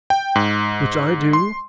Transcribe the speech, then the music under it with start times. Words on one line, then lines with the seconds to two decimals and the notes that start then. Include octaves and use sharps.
"Which I do."
0.10 G5
0.35 G#2
1.33 C6